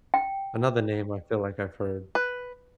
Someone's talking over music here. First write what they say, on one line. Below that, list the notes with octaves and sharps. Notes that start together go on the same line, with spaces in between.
Another name I feel like I've heard.
G5
B4